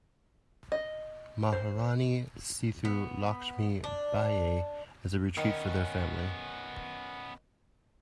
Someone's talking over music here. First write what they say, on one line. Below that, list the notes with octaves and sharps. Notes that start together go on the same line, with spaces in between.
Maharani Sethu Lakshmi Bayi, as a retreat for their family.
D#5
C5
B3
D4
D#3 B3 C#4